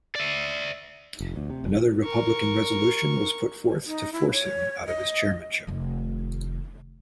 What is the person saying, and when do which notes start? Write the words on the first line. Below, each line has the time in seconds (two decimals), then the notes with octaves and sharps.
Another Republican resolution was put forth to force him out of his chairmanship.
0.15 D5 E5
1.20 F1
1.36 D2
1.50 C3
1.64 F1
2.04 A#4 C#6
3.86 D#4
4.13 E4
4.32 C#5
4.86 D#5
5.67 F1 D#3